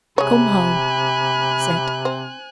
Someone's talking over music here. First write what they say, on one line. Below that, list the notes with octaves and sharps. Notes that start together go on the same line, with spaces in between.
"Come home," he said.
C3 G#3 C#5 G#5 B5 F#6
C4